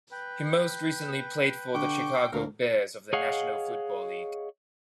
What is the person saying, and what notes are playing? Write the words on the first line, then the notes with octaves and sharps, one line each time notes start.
He most recently played for the Chicago Bears of the National Football League.
B4 G5
D3 G5 C#6 D6
D2 A3 A#4 F5
G#4 C#5 D#5 F5 F#5